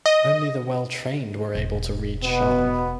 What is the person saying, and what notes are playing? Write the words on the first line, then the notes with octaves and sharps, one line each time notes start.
Only the well-trained were able to read Shan.
D#5
E1
B2 B3